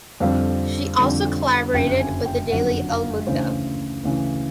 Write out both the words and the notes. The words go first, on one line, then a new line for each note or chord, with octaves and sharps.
She also collaborated with the daily "El Mundo".
F2 D3 G3 C4 F5
F2 D3 G3 C4
F#1 F2 D3 F#3 G5
G#5
G5
F#1 F2 D3 F#3 F#5
F5
D2 C#3 E3 C5
D2 C#3 E3